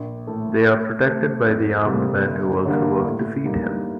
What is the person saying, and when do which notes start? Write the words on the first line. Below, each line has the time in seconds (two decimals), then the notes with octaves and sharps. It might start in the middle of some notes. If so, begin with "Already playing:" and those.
They are protected by the armed men who also work to feed him.
Already playing: A#1
0.27 A2 A3
0.67 A2
1.07 A3 C4 G4
1.46 F2
1.86 C3 G3 A#3
2.25 G1
2.65 G2 D3 G3 A#3
3.05 A2
3.45 G3 A#3 D#4